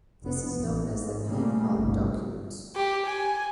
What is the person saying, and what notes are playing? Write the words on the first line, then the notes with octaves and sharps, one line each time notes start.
This is known as the Paypom document.
F1 B3
A1
G#2
A#2 C#3 G3 A3 A#3
G1 C2
G4
G#5